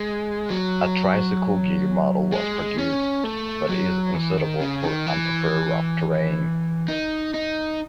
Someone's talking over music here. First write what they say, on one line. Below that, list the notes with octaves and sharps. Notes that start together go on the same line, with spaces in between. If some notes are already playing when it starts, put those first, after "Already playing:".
A tricycle-gear model was produced, but is unsuitable for unprepared rough terrain.
Already playing: G#3
F#3
G#3
C#4
A3
F#3
E3
D#3
C#3
D#3
E3
D#4
D#4